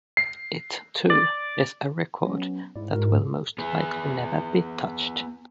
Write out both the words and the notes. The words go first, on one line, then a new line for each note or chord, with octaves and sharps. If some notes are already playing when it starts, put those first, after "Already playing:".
It, too, is a record that will most likely never be touched.
C7
D5
F#3 B3 C#4
G#2 G#3 E4 D5
E4 F#4 A#4
A4
B3 G#4